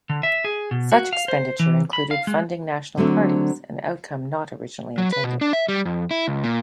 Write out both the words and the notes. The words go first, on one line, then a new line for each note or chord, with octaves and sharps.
Such expenditure included funding national parties, an outcome not originally intended.
D3
E5
G#4
B2
F#4
F5
C5
E3
B5
F5
G#3
D3 F#3 A3 C4 D4
F#3
B4
B2
D4
E5
G3
F2
E4
C#2
A#2